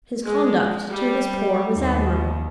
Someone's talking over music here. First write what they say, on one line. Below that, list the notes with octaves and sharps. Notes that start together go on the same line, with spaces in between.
His conduct to his poor was admirable.
G#3
G3
D#2